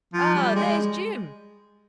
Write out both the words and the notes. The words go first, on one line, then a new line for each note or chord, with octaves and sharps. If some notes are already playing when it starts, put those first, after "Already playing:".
Ah, there's Jim!
F3
G3
G#3